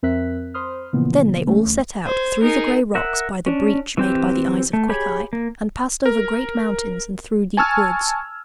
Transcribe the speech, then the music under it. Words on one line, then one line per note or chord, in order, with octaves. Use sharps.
Then they all set out through the grey rocks, by the breach made by the eyes of Quickeye, and passed over great mountains and through deep woods.
F2 C4 A#4 E5 F#6 B6
C5 B5 C6 D#6 F6
A#2 C#3 E3 F3 A#3 B3
A3 C#4
D2
C5 G#6
D#4 G#4 A#4
A#4 E5 F#5
C#4 D4
E3 C4 G4
A3
G4 G#4 C#5 B5
A#3
A#4
G#5 A5 C#6 E6 F6 G#6